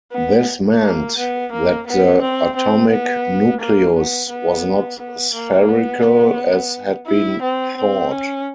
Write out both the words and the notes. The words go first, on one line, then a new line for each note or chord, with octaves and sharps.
This meant that the atomic nucleus was not spherical, as had been thought.
B3
A#3
B3
A#3
B3
C4
C4
B3
A#3
B3
B3
B3
A#3
B3
E4
C4
C4
C#4